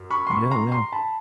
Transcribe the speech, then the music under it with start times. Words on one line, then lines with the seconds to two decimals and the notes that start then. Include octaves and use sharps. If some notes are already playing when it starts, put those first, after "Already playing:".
Yeah. Yeah.
Already playing: F#2
0.11 B5 C#6
0.27 C6
0.31 B5 C#6
0.51 A#5 C6
0.71 A#5 C6
0.92 A5 B5